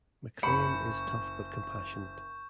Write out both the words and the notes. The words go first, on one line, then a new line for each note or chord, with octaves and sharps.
McClain is tough but compassionate.
F#1 B5 C#6 G6 C#7